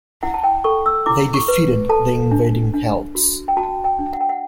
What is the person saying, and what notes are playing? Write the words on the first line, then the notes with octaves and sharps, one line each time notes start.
They defeated the invading Celts.
E4 F#5
A5
G5
A4 C#6
E6
E4 D6
C#6
B4
A4 A5
D4
D4
F#4
G5
F#4 A5
G5
D4
F#5
G5
F#5